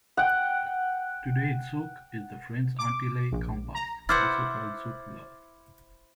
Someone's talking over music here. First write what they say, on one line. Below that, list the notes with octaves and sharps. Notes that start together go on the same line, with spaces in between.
Today, zouk is the French Antilles compas, also called zouk-love.
F#5 G5
D6
A#1
A#5
E4 C5 F#5 D6 F6 A6